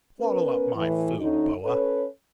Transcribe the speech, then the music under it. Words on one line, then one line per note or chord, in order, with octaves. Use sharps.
Swallow up my food, boa.
B3 C#4 A#4 B4
A2 E3
D2 D3 C#4 D#4
C#4 A4 B4 C#5